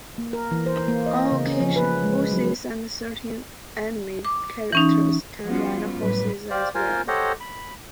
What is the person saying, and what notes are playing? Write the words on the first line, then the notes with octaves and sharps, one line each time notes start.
On occasion, bosses and certain enemy characters can ride horses as well.
A#3
A#4
E3
C5
A#3
D#5
C#3
C#4
F3
B4
G#3
F#3
D6
E3 C#4 D#4
F3 G3 B3 C#4 F4 F#4
F#2 A2 G3 B4
G4 C5 D5 F5
F4 A#4 C5 G#5
G4 A4 C5 C#5 D#5 F#5
B5